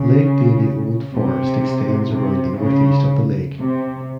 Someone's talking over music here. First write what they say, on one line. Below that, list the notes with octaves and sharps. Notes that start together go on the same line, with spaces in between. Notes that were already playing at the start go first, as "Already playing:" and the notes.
Lake Davy Old Forest extends around the northeast of the lake.
Already playing: C#3
C3
C3
C#3
C3